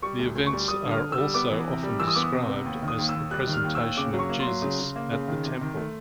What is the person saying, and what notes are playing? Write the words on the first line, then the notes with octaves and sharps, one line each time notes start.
The events are also often described as the "Presentation of Jesus at the Temple".
G3 C#6
D2
D2
C#6
G3
G3 D#6
D3
F6
D3
E6
G3
B3 D6
E3
C3
G3
E3 E6
D#6
B3 D6
D#6
C3
B3
D#2
D#3
D#6
D#2
E6
D#2
G3 F#6
D#3
F6
D#2
E6
D#2
C#3 D6
F#3
C#6
A#3
C6
F#3
C#3
C#3
A#3
C#3
D#3
C3
D#3
A3